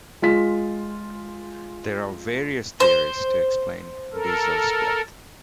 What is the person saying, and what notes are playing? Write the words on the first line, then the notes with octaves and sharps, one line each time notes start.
There are various theories to explain Diesel's death.
G#3 F4 B6
C5
A4 A#4